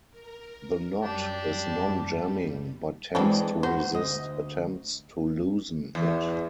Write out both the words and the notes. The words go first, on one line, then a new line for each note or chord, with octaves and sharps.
The knot is non-jamming but tends to resist attempts to loosen it.
A#4
F#2 G3 D4 G4 A5
E3 G#3 C4 D4 A4
F#4 C5
D2 D#5
E2